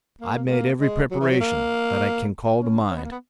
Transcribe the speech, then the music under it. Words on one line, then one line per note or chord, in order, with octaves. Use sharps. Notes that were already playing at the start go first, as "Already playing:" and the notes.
"I've made every preparation that I can call to mind."
A#3
G#3
A#3
G#3
F#3
E3
F#3
A#3
C#4
C#4
B3
A#3
B3